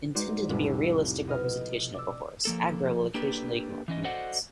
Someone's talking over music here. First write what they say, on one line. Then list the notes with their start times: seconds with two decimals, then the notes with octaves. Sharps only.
Intended to be a realistic representation of a horse, Agro will occasionally ignore commands.
0.15 G#3 D#4 F#4 C5 D5
0.49 F1 C2 F2 A2 C3
1.27 B2 D#5 F6
1.94 D5 E6
2.45 F3 A#3 A4
3.14 A#3 D4 G4 A4 B4
3.88 E3 C#4 D#5
4.04 F#4 A4 C5 D5 D#5 F#5